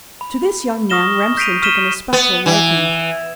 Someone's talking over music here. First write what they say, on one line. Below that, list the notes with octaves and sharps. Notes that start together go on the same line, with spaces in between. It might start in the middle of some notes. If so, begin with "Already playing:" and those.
To this young man Remsen took an especial liking.
B5
C#6 D#6 F6 A#6 E7 G7
G6 B6 C7 D7 D#7 F7
C#6 F6 B6 D#7 E7 G7
B3
E3